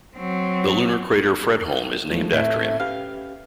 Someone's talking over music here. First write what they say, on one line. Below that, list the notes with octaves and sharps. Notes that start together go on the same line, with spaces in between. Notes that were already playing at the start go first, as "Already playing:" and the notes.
The lunar crater Fredholm is named after him.
F#3 C4
F3 G#3 A3
A2 A3 C4 E4
C#4 G4 B4 F5